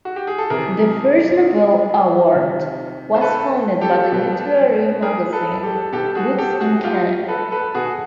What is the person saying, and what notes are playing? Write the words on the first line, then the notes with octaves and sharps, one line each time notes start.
The First Novel Award was founded by the literary magazine "Books in Canada".
F#4
G4
G#4
A4
C3 E3 G#4 A#4
C3 D#3
C5
A4 B4
G4 A4
B2
G#4 A#4
A4 B4
G4 A4
B2 G4 A4
F#4 G#4
G4 A4
F#4 G#4
F4 G4
A4 B4
A4 B4
B2 F#4 G#4